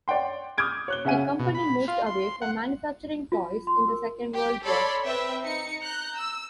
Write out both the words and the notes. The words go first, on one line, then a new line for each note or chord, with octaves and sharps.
The company moved away from manufacturing toys in the Second World War.
C#5 D5 F#5 G5 C6
D6 D#6 F6 G6 G#6 D7
C#5 F#6 G7
C#3 C#4 E5 F#5 G#5 D#7
B2
B5
F4
C6
F#5
F4
C6
A#4
G4
A4 C#5 D5 B5 C6
C4 B4 E5 G5
D#4 C#7
A#5 F#6 G6
E6